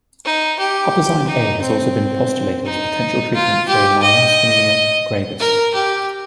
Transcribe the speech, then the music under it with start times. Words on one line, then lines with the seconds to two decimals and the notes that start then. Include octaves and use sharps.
Huperzine A has also been postulated as a potential treatment for myasthenia gravis.
0.25 D#4
0.59 G4
1.27 D#4
1.62 C4
2.65 D#4
3.34 F4
3.68 G4
4.02 D#5
5.40 A#4
5.74 G4